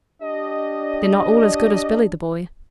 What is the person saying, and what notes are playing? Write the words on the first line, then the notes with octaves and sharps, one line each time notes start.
They're not all as good as Billy the Boy.
D4 G4 D#5